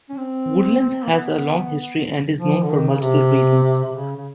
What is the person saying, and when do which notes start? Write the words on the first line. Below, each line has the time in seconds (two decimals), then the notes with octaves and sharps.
Woodlands has a long history and is known for multiple reasons.
0.09 C#4
0.17 C4
1.04 A#3
1.12 B3
2.38 F3
2.63 D3
2.70 D#3
2.89 C#3
3.01 C3
3.84 C3
3.95 C#3
4.16 C#3